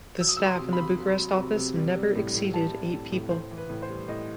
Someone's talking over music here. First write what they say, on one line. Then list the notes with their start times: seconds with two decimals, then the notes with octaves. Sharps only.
The staff in the Bucharest office never exceeded eight people.
0.20 F#3 E6
0.29 D#6
0.37 E6
0.40 F#3
0.46 C6
0.59 C3
0.73 B5
0.78 C3
0.98 F#3
1.17 F#3
1.37 C3
1.56 C3
1.76 G3
1.96 G3
2.15 A2
2.35 A2
2.54 G3 A5
2.72 G3
2.92 A2
3.12 A2
3.30 A2 C5
3.51 E3
3.58 B4
3.69 A2
3.82 C5
3.89 G3
4.08 A2 D#5